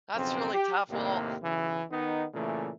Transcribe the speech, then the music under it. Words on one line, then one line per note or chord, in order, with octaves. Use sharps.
that's really tough. Well,
B1 F2 C#3 C4
G4
D#2 A2 C3 A#3
B1 C#3 E3
D#3 B3 D#4
A#2 C#3 E3 A3